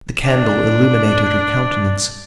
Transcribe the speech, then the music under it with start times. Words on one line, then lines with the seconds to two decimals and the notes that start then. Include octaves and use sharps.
The candle illuminated her countenance.
0.24 D4 D5